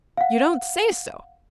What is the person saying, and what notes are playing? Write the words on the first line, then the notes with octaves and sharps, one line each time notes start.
"You don't say so?"
F5 F#5